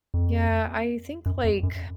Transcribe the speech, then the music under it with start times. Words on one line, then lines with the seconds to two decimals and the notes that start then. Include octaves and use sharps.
Yeah, I think like
0.14 F2
1.26 F#2
1.44 F2
1.63 F#2